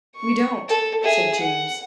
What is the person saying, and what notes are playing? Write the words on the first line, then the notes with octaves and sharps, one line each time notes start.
"We don't," said James.
C#6
A4
G#4 E5
F#5